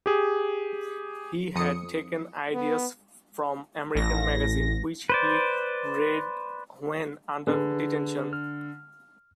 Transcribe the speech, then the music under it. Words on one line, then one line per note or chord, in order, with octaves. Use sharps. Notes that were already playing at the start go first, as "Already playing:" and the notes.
He had taken ideas from American magazines, which he read when under detention.
G4 G#4
F2 D#6 C#7
B3
A1 A#6
B4 C5 D5
D3 G#4 B4
F6